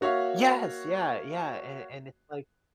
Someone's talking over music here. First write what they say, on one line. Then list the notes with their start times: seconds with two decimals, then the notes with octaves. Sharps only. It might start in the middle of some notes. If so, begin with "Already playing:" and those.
Yes! Yeah, yeah and and it's like
0.01 A#3 F#4 C#5 E5 F5